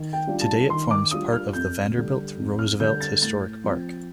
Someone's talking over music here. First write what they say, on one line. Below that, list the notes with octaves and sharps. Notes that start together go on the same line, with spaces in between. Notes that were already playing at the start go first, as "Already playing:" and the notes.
Today it forms part of the Vanderbilt-Roosevelt Historic Park.
Already playing: D#3
G5
G3 D4 F4
A5
D#3 C6
D6
G3 D4 F4 D#6
F6
F2 G6
D3 G3
F2
F6
D3 G3 G6
A6
A2 A6
F3 C4